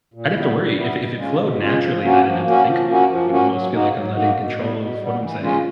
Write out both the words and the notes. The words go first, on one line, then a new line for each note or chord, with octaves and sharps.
I'd have to worry. If if it flowed naturally and I didn't have to think about it, I would almost feel like I'm not in control of what I'm saying.
A#2
G3 B3 E4
A#2
G3 B3 E4
B2
G#3 C#4 F4
B2
G#3 C#4 F4
F3
A#3 C#4 F#4
F3
A#3 C#4 F#4
F3
A#3 C#4 F#4
F3
A#3 C#4 F#4
F#3
A#3 D#4 F#4
F#3
A#3 D#4 F#4
B2
G3 B3
B2
G3 B3
E3
G#3 C#4 F4